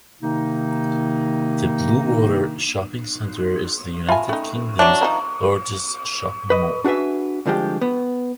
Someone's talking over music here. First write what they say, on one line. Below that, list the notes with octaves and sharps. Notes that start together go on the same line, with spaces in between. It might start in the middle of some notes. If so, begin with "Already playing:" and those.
The Bluewater shopping centre is the United Kingdom's largest shopping mall.
C3 D#3 A#3 D#4
F4 E5 G#5 A5 B5
A3 C#4 D#4
F#3 D4 E5 D6
D#3 F3 D#4 A#5
B4 D#5
D4 F#4 G#4 B4 E5
C2 D3 F3 G#3 G4
B3